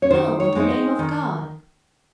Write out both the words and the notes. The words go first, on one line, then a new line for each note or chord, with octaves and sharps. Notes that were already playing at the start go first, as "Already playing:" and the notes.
No, in the name of God!
C#5
D#3 C5
C#5
G#3 C4 D#4
D#5
D#3